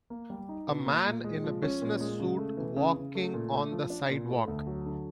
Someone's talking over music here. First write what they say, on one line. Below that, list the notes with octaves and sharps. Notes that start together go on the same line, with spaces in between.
A man in a business suit walking on the sidewalk.
A#3
G3
D#4
B2
A#3
A#2
G#3
F3
C#4
A#2
G#3
C#3
A3
E3
C#3
C#3
A3
A#2
A3
F3
D4
A#2
A3
D2
F#3
D3